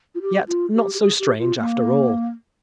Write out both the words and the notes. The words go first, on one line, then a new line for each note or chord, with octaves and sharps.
Yet not so strange after all.
F4
G4
F4
G4
G4
G#4
G4
F4
A#3